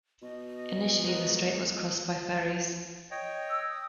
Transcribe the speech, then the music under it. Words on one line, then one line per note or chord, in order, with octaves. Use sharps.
Initially, the strait was crossed by ferries.
B2 D#5
G#3 B3 A#4
C#5 D#5 G5
E6
D#6